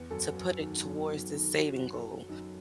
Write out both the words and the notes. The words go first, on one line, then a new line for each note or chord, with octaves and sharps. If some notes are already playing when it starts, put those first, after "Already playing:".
To put it towards the saving goal.
Already playing: E2
F#2 A4
F#2
D#3
F#2
D#3
D#3
F#3 F#4
F#4
F#2
A4
F#3
F#2 D#4